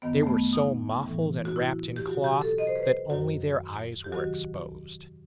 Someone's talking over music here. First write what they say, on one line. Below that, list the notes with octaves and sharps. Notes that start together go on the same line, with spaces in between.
They were so muffled and wrapped in cloth that only their eyes were exposed.
F#2 D#3 G3 B3
A3
B3
D#4
A2 E3 G3
F#4
E4
G4
B2 F#3 F#4
G4
A4
D#5
C5
B4
C5
F#2 D#3 F#3 F#4
G4
E2 C3 D#3 F#3 F#4